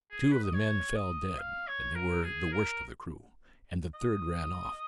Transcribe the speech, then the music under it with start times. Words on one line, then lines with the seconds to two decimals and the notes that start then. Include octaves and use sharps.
Two of the men fell dead, and they were the worst of the crew, and the third ran off.
0.11 G#4
0.32 B4
0.44 D#5
0.54 C#5
0.96 D#5
1.38 F5
1.68 C#5
1.95 A#4
2.24 G#4
2.53 A#4
3.95 D#5